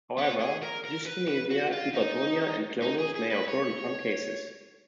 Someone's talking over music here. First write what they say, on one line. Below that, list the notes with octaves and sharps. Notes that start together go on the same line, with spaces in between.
However, dyskinesia, hypertonia, and clonus may occur in some cases.
B3
G#4
A#4
A#4
B4
B4
F#4
F4
D#4
D#4
G#4
G#4
B4
C#5